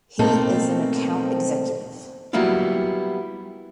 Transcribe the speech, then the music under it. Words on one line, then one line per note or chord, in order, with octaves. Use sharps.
He is an account executive.
B2 A3 A#3 C4 D#4 A4
F#3 G3 A#3 B3 E4 F4